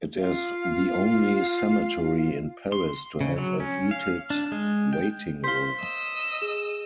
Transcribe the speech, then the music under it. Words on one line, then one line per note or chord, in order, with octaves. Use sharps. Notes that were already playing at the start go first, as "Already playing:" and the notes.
It is the only cemetery in Paris to have a heated waiting-room.
F4 F5
C6
C#3
F#3
C#4
F5
D4
G#3
G5
C5 F5 B6 G7
D#5 E6
G#4